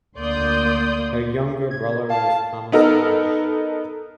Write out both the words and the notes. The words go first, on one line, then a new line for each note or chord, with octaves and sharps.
Her younger brother was Thomas Ashe.
D2 A#3 D5 C6 D#6 G6
G#6
F5 A5
B3 D#4 A4 A#4